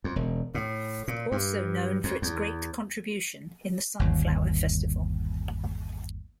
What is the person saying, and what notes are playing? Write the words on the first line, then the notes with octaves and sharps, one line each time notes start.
Also known for its great contribution in the Sunflower Festival.
F2
E1
A2
A#2
G2
F2
E2
G1 D#2